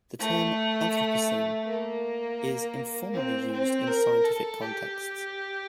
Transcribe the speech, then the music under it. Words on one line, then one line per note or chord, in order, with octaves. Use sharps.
The term "anthropocene" is informally used in scientific contexts.
A3
A#3
C4
C4
A#4
A4
G4